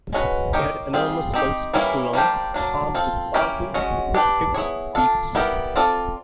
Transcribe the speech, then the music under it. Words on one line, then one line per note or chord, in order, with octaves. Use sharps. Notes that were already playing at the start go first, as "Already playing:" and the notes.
They had enormous skulls up to long, armed with powerful, hook-tipped beaks.
G#3 C#4 F#4 B4
A#3 D#4 G4 A#4 C#5
G3 C4 F4 G#4
C4 D#4 G4
E3 G3 A#3 C#4 E4
G3 A#3 D4 G4 C5
F#3 A#3 D4
C4 F4 A4
A#3 C#4 E4 G4 A#4
G#3 C#4 F#4
D4 G4 B4
B3 E4 G#4 C#5
D4 F4 A4
G3 B3 E4 G4 A#4
C4 F4 A4 D5